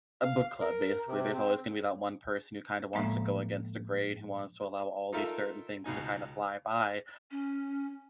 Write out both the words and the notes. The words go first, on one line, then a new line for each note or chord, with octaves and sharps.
a book club, basically. There's always gonna be that one person who, kind of, wants to go against the grain, who wants to allow all these certain things to, kind of, fly by,
F5
A#4
C3
C4
A2 F3 G#3 A#3 B3 E5
D#4 F4 A4 A#4 E5
C#2 B2 D#4 G#5
C#4